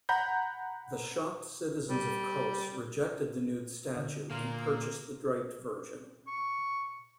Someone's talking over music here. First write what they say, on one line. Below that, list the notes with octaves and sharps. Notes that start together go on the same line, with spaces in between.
The shocked citizens of Kos rejected the nude statue and purchased the draped version.
F#5 A#5 B5 G6
G3
D3
A#2 A#3
C#6